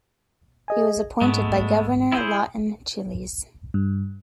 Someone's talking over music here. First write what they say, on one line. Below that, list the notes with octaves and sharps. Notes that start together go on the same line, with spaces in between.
He was appointed by Governor Lawton Chiles.
G#4 D#5 G#5
G#2 G#3 A3 B3
E4 G#4 C5
G2